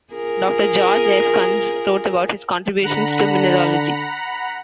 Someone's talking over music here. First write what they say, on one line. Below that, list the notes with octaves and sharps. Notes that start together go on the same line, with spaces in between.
Doctor George F. Kunz wrote about his contributions to mineralogy.
F4 G#4 A#4
D3 F#5 A#5 B5